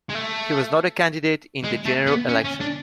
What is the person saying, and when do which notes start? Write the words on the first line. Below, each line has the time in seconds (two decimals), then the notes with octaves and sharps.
He was not a candidate in the general election.
0.09 G#3
0.14 A3
1.64 G#3
1.85 A3
2.07 B3
2.29 C#4
2.45 C#4
2.60 D4